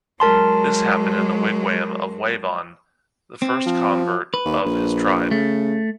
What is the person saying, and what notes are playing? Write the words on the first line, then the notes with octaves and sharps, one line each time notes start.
This happened in the wigwam of Waban, the first convert of his tribe.
F#3 G#3 A#4 A5 C6
C4
F3
B4
D#2
A#1
C#3 A3